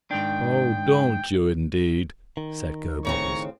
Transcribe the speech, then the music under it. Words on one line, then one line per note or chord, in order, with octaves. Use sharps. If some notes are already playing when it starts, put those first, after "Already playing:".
"Oh, don't you, indeed!" said Gobobbles.
G#2 D#3 D4 G5
D#3
A2 C#3 C4 C#5 A#5 C#6